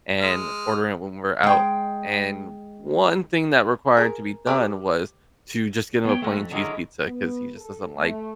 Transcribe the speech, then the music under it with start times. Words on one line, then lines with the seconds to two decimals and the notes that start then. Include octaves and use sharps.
and ordering it when we're out, and one thing that required to be done was to just get him a plain cheese pizza, 'cause he just doesn't like
0.21 G#3 D#6 F6
1.43 G#3 G5
3.97 G#4 A#4
4.47 G4 B4 D5
6.05 B3 C#5 G5
6.22 A3 C4 C#4 F#4
6.36 F2
6.51 D3 D#3 F#3 G#3 E4 A#4
7.04 B3
7.57 A4
7.94 A3